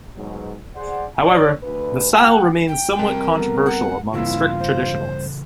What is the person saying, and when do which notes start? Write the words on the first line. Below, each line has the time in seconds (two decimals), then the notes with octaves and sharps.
However, the style remains somewhat controversial among strict traditionalists.
0.16 G#2 B2 F#3
0.76 G#4 C5 D5 F#5
1.23 C#5 D5
1.62 D2 B4
2.13 A1 B2 E3 F#4 F#5 G5
2.68 G5
2.99 C3 G3 G#3 C4 A#4 A5
3.35 G3 A3 B3
3.66 F#5
4.14 G2 C#3 E3 A#3 C4 E4 F4
4.59 C5